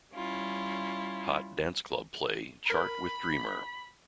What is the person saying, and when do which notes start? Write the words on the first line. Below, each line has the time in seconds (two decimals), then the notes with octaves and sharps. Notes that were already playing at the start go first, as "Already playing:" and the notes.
Hot Dance Club Play chart with "Dreamer".
0.13 G3 C#4 E4 F4
2.70 A#4 B5